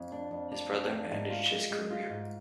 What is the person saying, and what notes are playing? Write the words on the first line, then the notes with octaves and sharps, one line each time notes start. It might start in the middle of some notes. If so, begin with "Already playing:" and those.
His brother managed his career.
Already playing: F2
D4
F2
D4
F2
D4
G#2
F4
G#3
G#3
F4
G#2